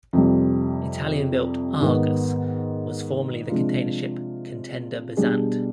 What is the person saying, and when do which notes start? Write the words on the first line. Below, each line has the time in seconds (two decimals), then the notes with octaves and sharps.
Italian-built, "Argus" was formerly the container ship "Contender Bezant".
0.13 F2 C3 G3
1.81 G#2 D#3 B3
3.49 C3 F3 G#3 D4 F4
5.17 B2 G3 D4 G#4